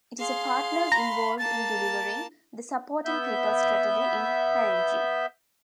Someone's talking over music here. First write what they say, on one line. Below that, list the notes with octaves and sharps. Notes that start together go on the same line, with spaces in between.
It is a partners involved in delivering the Supporting People strategy in Haringey.
G#4 F5 C6
A#5 B5
A#3 A5 A6
B3 E5 G6